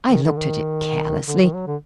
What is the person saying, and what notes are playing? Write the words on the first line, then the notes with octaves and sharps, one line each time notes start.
I looked at it carelessly.
D#3
D3
D#3
D3
D#3
F#3
D3